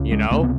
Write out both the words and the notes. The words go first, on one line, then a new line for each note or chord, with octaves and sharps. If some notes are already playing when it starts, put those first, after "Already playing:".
you know,
Already playing: C#2 C#3
G#3
C#2 C3 A3
B3